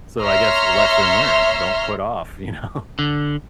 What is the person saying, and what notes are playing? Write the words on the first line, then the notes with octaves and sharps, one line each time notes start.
so I guess lesson learned, don't put off, you know,
C#5 E5 A#5 C6 F6
D3